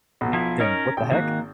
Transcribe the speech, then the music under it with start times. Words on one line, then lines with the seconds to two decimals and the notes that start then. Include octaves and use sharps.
then, "What the heck?"
0.21 B1 B2
0.33 F3 E4
0.60 C#4 D#4 A#4 C#5 D#5
0.97 G#1 G5
1.12 D#3 A#3 F#4